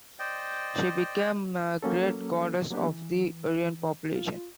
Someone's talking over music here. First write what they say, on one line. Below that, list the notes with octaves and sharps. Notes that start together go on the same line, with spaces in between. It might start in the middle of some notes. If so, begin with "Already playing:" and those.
She became a great goddess of the Hurrian population.
C5 D5 D#5 G5
F#3 A#3 C#4 A4
F#3 A#3 B3 D4 G4
E3
F4